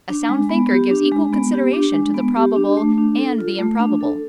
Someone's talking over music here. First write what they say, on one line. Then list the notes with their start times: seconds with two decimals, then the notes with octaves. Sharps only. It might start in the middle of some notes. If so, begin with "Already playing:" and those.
"A sound thinker gives equal consideration to the probable and the improbable."
0.09 D4
0.29 G#3
0.49 B3
0.71 G4
0.91 D4
1.12 G#3
1.33 B3
1.54 G4
1.73 D4
1.94 G#3
2.14 B3
2.36 G4
2.56 D4
2.77 A3
2.98 D4
3.18 A4
3.38 F4
3.59 A3
3.79 D4
4.01 A4